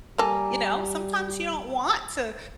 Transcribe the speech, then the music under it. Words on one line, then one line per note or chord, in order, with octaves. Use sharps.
you know, sometimes you don't want to
G3 A#3 A4 G#5 A#5 D6